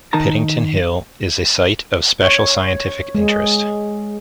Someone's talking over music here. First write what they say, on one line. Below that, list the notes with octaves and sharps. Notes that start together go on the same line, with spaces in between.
Pittington Hill is a Site of Special Scientific Interest.
D#3 D#4 A#4 A5 A#5
C#5
G#3